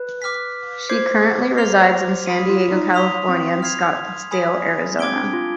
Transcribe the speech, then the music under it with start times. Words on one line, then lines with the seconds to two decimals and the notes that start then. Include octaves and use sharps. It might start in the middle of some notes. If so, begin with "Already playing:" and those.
She currently resides in San Diego, California, and Scottsdale, Arizona.
Already playing: B4
0.22 D6 F6 B6
0.89 C5 D6 G#6 C7
1.58 C6 F6 C7 F7
2.26 B5 D#6 B6 D#7
2.49 F4
2.71 D#4
2.94 C6 D#6 B6 F7
3.29 C4
3.62 F6 G#6 C7 F7
4.31 G#5 B5 D#6 B6
4.99 C4 D6 G#6 D7 G7
5.16 D4
5.33 F4